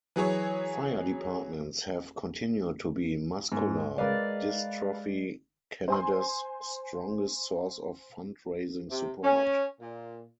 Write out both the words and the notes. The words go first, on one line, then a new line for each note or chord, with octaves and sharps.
Fire departments have continued to be Muscular Dystrophy Canada's strongest source of fund-raising support.
E3 F#3 G#4 C#5
G#2
G#3 A#4 B4 D5 F5
C5 G#5 C6
C3
C#4
A#2